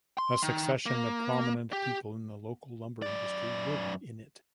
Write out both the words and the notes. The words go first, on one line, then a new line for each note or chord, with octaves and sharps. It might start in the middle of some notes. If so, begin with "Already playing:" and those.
A succession of prominent people in the local lumber industry lived in it.
C6
D#3
A#3
G4
F#2 D5